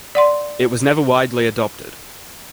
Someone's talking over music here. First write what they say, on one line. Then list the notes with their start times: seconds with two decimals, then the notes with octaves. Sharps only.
It was never widely adopted.
0.15 D5 F#5 C6